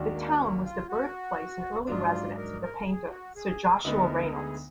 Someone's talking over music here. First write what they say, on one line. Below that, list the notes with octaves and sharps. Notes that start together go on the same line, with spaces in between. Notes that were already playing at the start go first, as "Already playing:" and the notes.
The town was the birthplace and early residence of the painter Sir Joshua Reynolds.
Already playing: D#2 D#3 G#3 D4 F#4
A#3
A#3
F4
F#4
G#2 F#3 D4 F4
A#4
A#4
G#4
F#4
G#4
D2 D3 G#3 B3 D#4 A#4
G#4